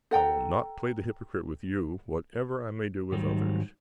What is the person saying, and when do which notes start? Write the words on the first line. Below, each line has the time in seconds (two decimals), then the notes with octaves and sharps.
I will not play the hypocrite with you, whatever I may do with others.
0.11 A4 F#5 G5 A#5
3.12 G#2 D#3 F#3 G3